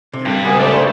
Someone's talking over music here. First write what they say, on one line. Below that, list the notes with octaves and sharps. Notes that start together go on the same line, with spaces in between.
You're good.
C3
G2 G3
C#2 C3 A#3 B3 G#4
A3 A4 D5
G2 C#3 C5